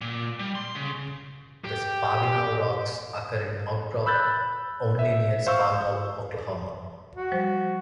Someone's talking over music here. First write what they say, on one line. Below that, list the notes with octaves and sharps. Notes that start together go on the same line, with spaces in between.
The Spavinaw rocks occur in outcrop only near Spavinaw, Oklahoma.
A#2
G3
C6
C#3
G4
B5 E6 F#6 G6 A6
E5
C5 F5 C#6 E6
F#4
F3 G3 C5